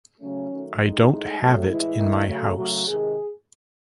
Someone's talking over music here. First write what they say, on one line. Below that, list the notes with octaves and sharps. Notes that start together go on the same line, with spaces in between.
I don't have it in my house.
C#3 F#3 A3 C#4
D#3 F#3 A3
A2 G#3 D#4
A2 G#3
C3 F#3 A3
A2 E3 G#3 E4
D#3 A3
C#3 F#3 A3
C#3 F#3 A3 F#4
C3 D#3 G#3 G#4